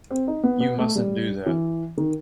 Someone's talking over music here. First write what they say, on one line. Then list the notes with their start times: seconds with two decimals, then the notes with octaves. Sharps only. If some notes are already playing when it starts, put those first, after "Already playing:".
You mustn’t do that.
0.11 C4
0.27 D#4
0.43 B3
0.60 B3
0.79 A3
0.95 G3
1.46 E3
1.97 D#3